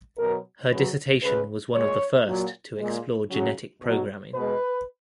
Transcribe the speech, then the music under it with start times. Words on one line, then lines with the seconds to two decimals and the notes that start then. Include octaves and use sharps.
Her dissertation was one of the first to explore genetic programming.
0.18 B2 F#3 A#4
0.71 C#3 F#3 B4
1.23 C#3 G#3 B4
1.75 A#2 G#3 C#5
2.27 A#2 F#3
2.79 A#2 G#3
3.31 C#3 F#3
3.83 B2 F#3
4.34 B2 G#3 B4